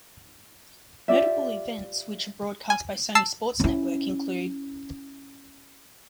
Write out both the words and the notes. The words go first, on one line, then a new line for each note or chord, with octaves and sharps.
Notable events which are broadcast by Sony Sports Network include.
F4 G4 D5 E5
G#5
A5 E6 C7
C#4 E4